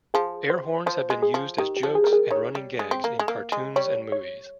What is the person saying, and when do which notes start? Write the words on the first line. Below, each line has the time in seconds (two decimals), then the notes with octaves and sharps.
Air horns have been used as jokes, and running gags in cartoons and movies.
0.14 F3 G#4
0.50 C5
0.86 F3 C5
1.10 G#3
1.22 G#4
1.34 F3
1.58 D#3 G4
1.77 G4
1.83 F3
1.95 G#4
2.04 G3 A#4
2.13 G#4
2.31 D#3 C#5
2.55 G3
2.79 G#3
2.91 C4
3.04 A#3
3.19 G#3
3.28 A#3
3.52 G#3
3.76 G3 C#5
4.12 C#5